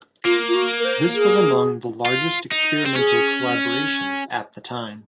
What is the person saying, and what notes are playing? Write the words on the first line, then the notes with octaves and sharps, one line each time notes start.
This was among the largest experimental collaborations at the time.
A#3 F4
F4
F#4
A#4
C5
G#4
F4
D#4
C4
C#4 G#4